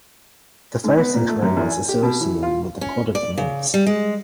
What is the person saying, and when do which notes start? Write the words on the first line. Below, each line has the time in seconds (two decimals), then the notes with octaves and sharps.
The fire sanctuary was associated with the cult of the nymphs.
0.84 G#2
0.97 B3
1.14 A#2
1.28 A3
1.42 F#2
1.56 E2
1.71 G#5
1.88 G4
2.03 B2
2.21 E3
2.43 F4
2.81 C#4
3.15 D5
3.38 C#3
3.74 G3
3.86 G#3